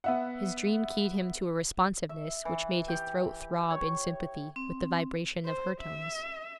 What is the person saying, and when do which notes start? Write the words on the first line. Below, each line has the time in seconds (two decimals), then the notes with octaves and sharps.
His dream keyed him to a responsiveness which made his throat throb in sympathy with the vibration of her tones.
0.04 B3 E5 F#5
2.09 E5
2.45 E3
2.88 G4
3.70 C#5
4.56 C4
5.45 C5
5.81 E5